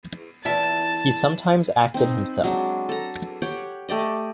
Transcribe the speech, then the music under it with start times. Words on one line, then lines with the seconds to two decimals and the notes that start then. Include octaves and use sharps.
He sometimes acted himself.
0.45 E2 E4 E5 A5
1.94 C4 D#4
2.44 F#3 G#3 D4
2.89 A4 A#5
3.42 G4 C#5 F#5 G5
3.89 A3 G4 D5 D#5